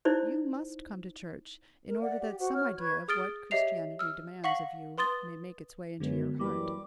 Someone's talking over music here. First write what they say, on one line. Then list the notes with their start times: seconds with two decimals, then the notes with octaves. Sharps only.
You must come to church, in order that some idea of what Christianity demands of you may make its way into your heart.
0.05 D#4 E4 C5 D5
1.87 A#4
2.01 D5 E5 F#5
2.20 G4
2.39 F#4 C5 F#5
2.53 F#4 C#5 F6
2.77 B4 C#6 G#6
3.08 G#4 D#6 F6 A6 D7 G7
3.51 G4 C#5 D#5 E5 C7 F7
3.99 E6 F6
4.44 F5 F#5 C#6 A#6 B6 F#7
4.98 B4 C6 D#6 A6 G7
6.00 F#2 D3 G#3 B3
6.40 F#2 E3 G3 A#3 B5 D6